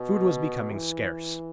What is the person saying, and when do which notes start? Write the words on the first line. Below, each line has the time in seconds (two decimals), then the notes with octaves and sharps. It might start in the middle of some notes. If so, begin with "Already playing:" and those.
Food was becoming scarce.
Already playing: B2
0.72 E3